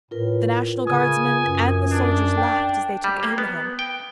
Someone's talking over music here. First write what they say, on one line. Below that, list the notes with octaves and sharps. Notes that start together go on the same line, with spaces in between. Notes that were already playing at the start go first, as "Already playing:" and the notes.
The National Guardsmen and the soldiers laughed as they took aim at him.
A2 F4 A#4 B4
C#3 G#5 D#6
F#2
D4
G5
G3
A#3
B3
G5